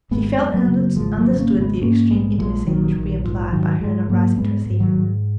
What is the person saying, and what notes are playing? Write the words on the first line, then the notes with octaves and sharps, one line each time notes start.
She felt and understood the extreme intimacy which would be implied by her not rising to receive him.
G#1 G#3 B3
F#2
F#3 A#3
C#3
G#1 F3 G#3
F#3 A#3
C#3
B3
A#3 C#4
G#1
G#3 B3
G#2 A#3 C#4
A#1 G#3 B3
A#1 F3 G#3
A#1 D#3 F#3
A#1 D#3
D#3
G#2 F3
G#2 D#3 F#3
G#2 F3 G#3
G#2 F#3 A#3
G#2 G#3 B3
G#2
D#3 F#3
G#2